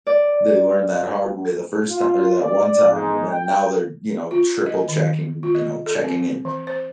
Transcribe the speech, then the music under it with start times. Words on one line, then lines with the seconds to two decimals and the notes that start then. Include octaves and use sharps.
they learned that hard way the first ti or that one time and then now they're, you know, triple checking, you know, checking it
0.07 D5
1.89 F4
2.40 D5
2.89 G#2
3.31 G5
4.31 F4
4.66 D#5
4.89 D#3
5.43 F4
5.55 D#5
5.86 A4
6.04 C4
6.45 E3
6.67 C5